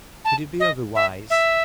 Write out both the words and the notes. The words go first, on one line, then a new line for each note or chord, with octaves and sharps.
Could it be otherwise?
A5
D#5
E5
E5